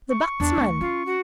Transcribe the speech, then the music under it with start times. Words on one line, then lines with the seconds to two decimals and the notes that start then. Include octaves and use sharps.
The batsman?
0.10 C#6
0.40 E2 D4
0.57 D2
0.81 C#4 F4
1.06 F#4